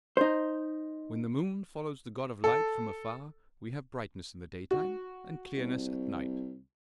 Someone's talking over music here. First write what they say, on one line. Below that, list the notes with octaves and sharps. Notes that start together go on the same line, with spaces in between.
When the moon follows the god of light from afar, we have brightness in the daytime and clearness at night.
D#4 C5
A4
F#4
C2